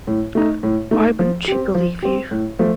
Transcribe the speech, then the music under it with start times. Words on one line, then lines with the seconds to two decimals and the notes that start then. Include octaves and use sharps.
Why wouldn't she believe you?
0.07 A2
0.35 A3 D#4
0.63 A2
0.91 A3 D#4
1.19 F3
1.48 C4 G4
1.75 F3
2.02 C4 G4
2.31 A2
2.59 F3 A3